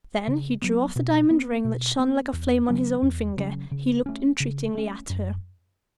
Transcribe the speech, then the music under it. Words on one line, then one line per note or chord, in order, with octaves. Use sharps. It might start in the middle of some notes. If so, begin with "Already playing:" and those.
Then he drew off the diamond ring that shone like flame on his own finger; he looked entreatingly at her.
C#3
F#3 B3
B2
B3
B2
B3
E2
C#3 F#3 C#4
E2
C#3 F#3 C#4
C#3
A3 C#4
C#3
A3 C#4
F#2